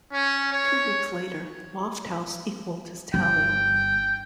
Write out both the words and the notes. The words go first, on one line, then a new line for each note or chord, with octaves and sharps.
Two weeks later, Lofthouse equalled his tally.
C#4
C#5
G1 G5